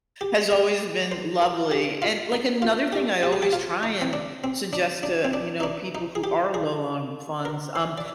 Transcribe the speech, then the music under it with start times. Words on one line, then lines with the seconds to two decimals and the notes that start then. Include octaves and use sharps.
has always been lovely, and like another thing I always try and suggest to, you know, people who are low on funds, um,
0.21 G4
0.51 G#4
1.12 C5
1.42 A#4
1.71 G4
2.02 F4
2.32 D#4
2.62 F4
2.93 G4
3.23 G4
3.33 G#4
3.42 G4
3.53 F4
3.83 D#4
4.01 C4
4.13 D4
4.44 C4
4.73 D4
5.03 D4
5.25 C4
5.33 D4
5.60 D#4
5.63 D4
5.95 D#4
6.15 G#4
6.24 G4
6.54 G#4
7.45 A#4
7.76 C5
7.98 D5